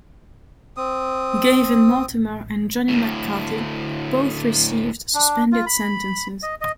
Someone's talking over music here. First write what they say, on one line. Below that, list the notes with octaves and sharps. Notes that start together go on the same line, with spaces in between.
Gavin Mortimer and Johnny McCarthy both received suspended sentences.
C4 D#6
D2 A2
D4
F4
B5
D#5
D#5